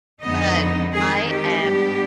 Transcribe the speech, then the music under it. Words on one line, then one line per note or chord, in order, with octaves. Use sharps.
But I am
F2 D3 G#3 B3 D#4 D#5
D#3 G#3 C4 D#4 G#4
G4
G#2 G3 B3 D4